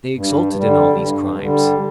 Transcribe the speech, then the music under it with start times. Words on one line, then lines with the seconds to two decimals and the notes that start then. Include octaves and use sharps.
They exulted in all these crimes.
0.16 G2
0.58 D3 G3
0.99 G2
1.41 D3 G3